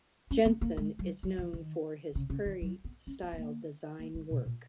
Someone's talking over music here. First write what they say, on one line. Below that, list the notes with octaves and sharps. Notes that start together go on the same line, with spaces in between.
Jensen is known for his prairie style design work.
C#4
B3
A#3
G#3
F#3
F#3
E3
D#3
C#3
C#3
D#3
F#3
B3
C#4
B3
B3
A#3
A#3
G#3
B2
A#2